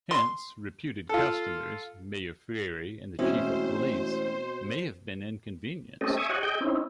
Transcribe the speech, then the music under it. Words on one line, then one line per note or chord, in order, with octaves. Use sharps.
Hence, reputed customers, Mayor Frary and the chief of police, may have been inconvenienced.
C6
F4 A4
A1 B2 G#3 C4 C#4 E4 C5
A3 C4 C#4 G4 A4 D#5
E5 G#5 C#6 D#6
G4 C#5 D#5 F#5 G#5
G#4 D#5 G5 G6
C4 C#4 D#4 E4